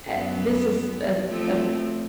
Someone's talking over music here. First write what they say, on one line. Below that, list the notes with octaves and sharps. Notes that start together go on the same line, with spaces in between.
uh, this is a a
F#2 B3
F3 A3 C4